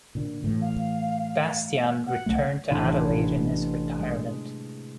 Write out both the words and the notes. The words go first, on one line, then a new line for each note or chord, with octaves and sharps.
Bastyan returned to Adelaide in his retirement.
A#2 D3
A2 E3
F5
F#5
C2 F#3 A3
A1 C3 D4 B4 G#6 D#7
G#3